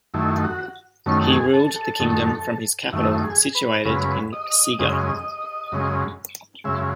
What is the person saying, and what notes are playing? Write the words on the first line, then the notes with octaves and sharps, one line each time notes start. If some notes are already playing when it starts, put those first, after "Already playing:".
He ruled the kingdom from his capital situated in Siga.
F#2 D#3 A3 E4
F#4
F#2 D#3 A3 C#4
G#4
A4
A4
F#2 D#3 A3
F#2 D#3 A3 E5
G#4
B4
F#2 C#3 G#3 B4
D#5
F#2 C#3 G#3
F#2 C#3 G#3
F#2 C#3 G#3 E5